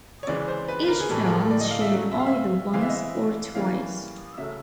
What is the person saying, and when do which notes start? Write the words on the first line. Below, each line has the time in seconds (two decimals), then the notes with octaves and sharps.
Each film is shown either once or twice.
0.23 C#5
0.27 C#3 E3 G#3 C4 D5
0.48 C5
0.68 B4
0.83 B4
0.88 A#4
1.00 G#4
1.09 A2 E3 G3 A4
1.20 G#4
1.26 A#4
1.30 A4
1.40 A4
1.51 D5
1.60 D#5
1.70 F5
1.81 E5
1.91 F#3 A3 C#4
2.11 E5
2.19 F5
2.26 E5
2.73 E3 G#3 C4 F5
2.81 E5
2.89 D#5
2.96 E5
3.55 E3 G3 A#3 C#4 E4 F5
4.38 C#3 F#3 A3 E5